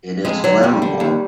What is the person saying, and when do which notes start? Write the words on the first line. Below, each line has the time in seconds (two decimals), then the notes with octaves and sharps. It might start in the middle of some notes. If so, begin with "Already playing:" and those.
It is flammable.
0.25 F2 G#3
0.44 D3 F#3
0.63 F2 G3
0.82 D3
1.00 D#2